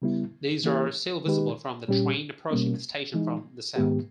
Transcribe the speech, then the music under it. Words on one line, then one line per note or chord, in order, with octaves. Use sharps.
These are still visible from the train approaching the station from the south.
C#3 G3 B3 E4
E3 A#3 E4 G4
D#3 G#3 D#4 G4 B4
A#2 G3 C#4 G4
B2 G3 A#3 C#4
E3 G#3 D#4
G#2 D#3 G#3 B3 G4